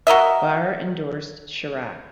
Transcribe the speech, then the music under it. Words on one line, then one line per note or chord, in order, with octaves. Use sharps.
Barre endorsed Chirac.
F#4 A#4 D#5 E5